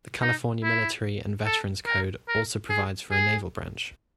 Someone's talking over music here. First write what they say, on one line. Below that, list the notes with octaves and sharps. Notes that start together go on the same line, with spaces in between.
The California Military and Veterans Code also provides for a naval branch.
D#4
E4
A4
A#4
A#4
G#4
G#4